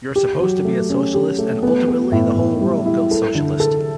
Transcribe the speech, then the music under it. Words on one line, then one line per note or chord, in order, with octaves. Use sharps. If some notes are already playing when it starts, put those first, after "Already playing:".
You're supposed to be a socialist and ultimately the whole world goes socialist.
G4
F#3
A3
C#4
G4
A3
B3
B3
A2
A2
G3
E4
A4
D3
A4